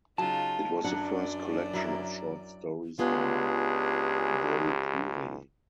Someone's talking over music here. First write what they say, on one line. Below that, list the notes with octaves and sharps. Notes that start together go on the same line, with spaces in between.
It was the first collection of short stories in Bhojpuri.
C#3 F#3 D#4 F4 A5
F#2 F#3 D4 D5 F#5
F#3 E4 A#4
C#2 B3 D4 F4 G4 G#4